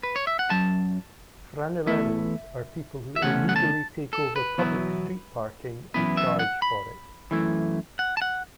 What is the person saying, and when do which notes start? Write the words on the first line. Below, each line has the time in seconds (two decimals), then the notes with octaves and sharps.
Franeleros are people who illegally take over public street parking and charge for it.
0.03 B4
0.16 C#5
0.27 E5
0.39 F#5
0.50 F#2 F#3 A5
1.86 E2 E3 A3 E4 E5
3.16 E5
3.22 E2 C#3 A3 C#4 F#5
3.49 F#5
3.56 A5
4.13 A4
4.36 B4
4.58 E2 B2 F#3 B3 E4
5.94 F#2 E3 B3 E4 B4
6.17 E5
6.39 F#5
6.62 B5
7.31 F#2 E3 A3 E4
7.99 F#5
8.17 A5
8.22 F#5